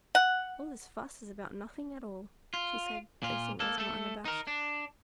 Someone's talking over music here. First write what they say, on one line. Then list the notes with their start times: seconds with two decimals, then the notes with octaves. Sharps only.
"All this fuss is about nothing at all," she said, facing Ozma unabashed.
0.15 F#5
2.54 F4
3.23 A#2 F4
3.60 A#3 A4
3.78 A3 A4
4.25 D#4 A#4
4.47 D4